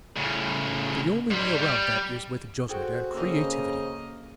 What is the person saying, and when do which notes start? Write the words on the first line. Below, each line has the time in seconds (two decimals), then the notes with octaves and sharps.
The only way around that is with judgment and creativity.
0.16 A2 C#3
1.31 G#2 G3
1.62 G3
2.69 F#4 G#4 A4 C5 G5
3.14 C#3 A#3 D#5 E6